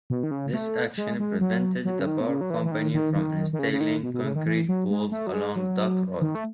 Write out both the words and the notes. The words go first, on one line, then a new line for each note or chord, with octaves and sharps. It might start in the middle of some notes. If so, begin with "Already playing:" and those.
This action prevented the power company from installing concrete poles along Duck Road.
B2
D#3
C#3
A3
G#3
G#3
F#3
F#3
C#3
D#3
B2
C#3
F#3
E3
E3
D#3
D#3
D#3
D#3
C#3
C#3
D#3
B2
B2
C#3
D#3
E3
F#3
G#3
A3
F#3
G#3
F#3
D#3
A3